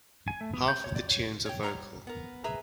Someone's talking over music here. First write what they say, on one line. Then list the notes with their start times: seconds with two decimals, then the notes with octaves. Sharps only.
Half of the tunes are vocal.
0.28 G#5
0.41 A3
0.54 B3
0.68 G6
0.84 C#5
0.95 D5
1.09 C#5
1.46 C#5 G5
1.63 G3 C#5 F#5 A#5 C6
2.07 B3 A#4
2.44 G#4 B4 D#5 E5 A#5